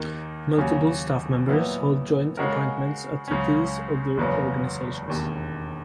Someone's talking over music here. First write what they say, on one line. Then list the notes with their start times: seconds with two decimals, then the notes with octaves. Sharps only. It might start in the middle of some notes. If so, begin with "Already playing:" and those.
Multiple staff members hold joint appointments at these other organisations.
Already playing: D#2 D#3 A#3 D#4 A#4
0.57 D#2 C#3 F#3 C#4
1.48 A#2 F#3 B3 E4
2.37 C#3 G#3 C#4 F#4 A#4
3.28 C#2 C#3 F#3 C#4
4.18 F#1 E2 C#3 F#3 B3
5.08 E1 D#2 D#3